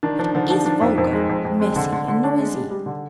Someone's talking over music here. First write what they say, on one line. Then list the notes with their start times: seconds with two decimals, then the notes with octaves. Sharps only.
It is vulgar, messy, and noisy.
0.03 D#3 D4
0.19 F3 D4
0.34 D3 F3
0.50 F3 D4
0.66 F3 D4
0.81 F2
0.98 F2 A#3
1.13 G#3
1.29 F2
1.45 F2
1.60 G#3 C4
1.76 D3
1.92 D3
2.08 D3
2.24 D4
2.39 G#3
2.55 G3
2.70 G3
2.86 D3